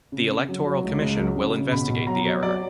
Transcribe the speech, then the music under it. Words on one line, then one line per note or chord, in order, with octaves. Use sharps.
The Electoral Commission will investigate the error.
C#3
C#3
F#3
F#3
C#2
C#2
F#3
C#3
C#3
B2 B5
B2
F#3 A#5
F#3
F#3 D5